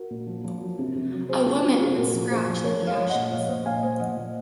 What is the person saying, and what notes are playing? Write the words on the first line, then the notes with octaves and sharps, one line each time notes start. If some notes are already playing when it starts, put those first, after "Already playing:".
A woman would scratch in the ashes.
Already playing: F#4 A#4
A#2
F3
F3
F#3
C3
C3
F#3
F#3 G#4 C5
C3 F4 G#4
F#3 F4
C3 F4 G#4
G#4
A#2 F#4 A#4
F3
A#2 G#4 C5
F3
F3 A#4 C#5
F3
C#5 F5
F3
D#5 F#5
A#2
A#2 C#5 F5
A#2 C5 D#5
A#2 F5 G#5
A#2 C5 D#5
F3 D#5 F#5
A#2